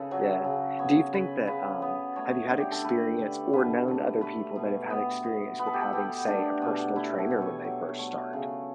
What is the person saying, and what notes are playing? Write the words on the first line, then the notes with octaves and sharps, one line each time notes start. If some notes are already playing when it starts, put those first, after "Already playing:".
yeah. Do you think that, um, have you had experience or known other people that have had experience with having, say, a personal trainer when they first start?
Already playing: C#3 A4 B4
F#3
C#3
B3 C#5
C#3 B4
C#3 B4
B3
A3 C#5
D3
G4
A4
A3 B4
D3
B2 B4
A3
A3 B4
B2
B3
B3
B3 B4
A4
G4
A4
B3 G4
A3 D4
B2
A3 E4
A4
B2
C#5
F#3
A3
C#3